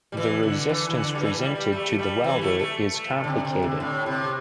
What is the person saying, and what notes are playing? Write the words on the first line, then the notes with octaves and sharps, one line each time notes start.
The resistance presented to the welder is complicated.
G3
E3
D3
E3
E3
D3
G3
E3
A3
G3
G3
A3
G3
E3
A3
A3
A3
A2
D3
C3
C3
D3
A2
C3